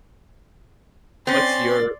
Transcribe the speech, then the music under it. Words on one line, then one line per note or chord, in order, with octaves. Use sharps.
What's your
C4 C#4 D5 C6 A6